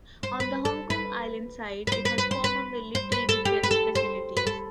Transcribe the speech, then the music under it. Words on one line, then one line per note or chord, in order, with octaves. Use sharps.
On the Hong Kong Island side, it has former military defence facilities.
C5
B4
A4
B4
B4
C5
B4
B4
C5
B4
C5
B4
A4
G4
B4
A4
C5
B4
A4